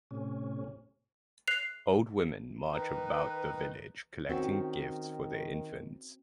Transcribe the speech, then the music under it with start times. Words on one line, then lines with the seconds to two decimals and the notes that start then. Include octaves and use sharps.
Old women march about the village collecting gifts for the infants.
0.11 A2 C3 C#4
1.48 F#6 C7 F7
2.72 D#3 D#4 B4
4.29 D#3 C4 C#4 F#4